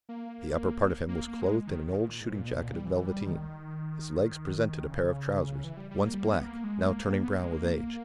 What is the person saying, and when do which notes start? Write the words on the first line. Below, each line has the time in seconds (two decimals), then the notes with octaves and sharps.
The upper part of him was clothed in an old shooting jacket of velveteen; his legs presented a pair of trousers, once black, now turning brown with age.
0.09 A#3
1.09 A#3
1.28 A#3
1.42 G#3
1.67 D#3
1.87 D#3
2.07 A#2
2.20 G#2
2.34 A#2
2.47 B2
2.60 A#2
2.74 G3
2.86 E3
3.06 G3
3.26 D#3
4.85 C#3
5.64 E3
5.77 G3
5.91 G3
6.04 A#3
6.14 G3
6.24 A#3
6.33 B3
6.44 A#3
6.64 G#3
6.84 A#3
7.23 B3
7.33 A#3
7.43 G#3
7.53 A#3